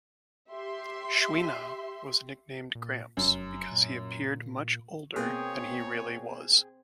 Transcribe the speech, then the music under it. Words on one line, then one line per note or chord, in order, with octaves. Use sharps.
Chouinard was nicknamed "Gramps" because he appeared much older than he really was.
G4 E5 C6
A#2
F1 F#2
A#2
B2 A#3 C4 G#4 C#5 G5